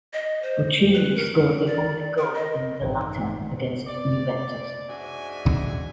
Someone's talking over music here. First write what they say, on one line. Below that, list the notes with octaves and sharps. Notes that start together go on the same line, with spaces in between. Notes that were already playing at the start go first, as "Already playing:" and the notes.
Bochini scored the only goal in the latter against Juventus.
D#5
C5
B4
A#4
D5
A#4
D#5
A1 G2 D3 D#3
D5
G#2 D4 F#4 E5 G#5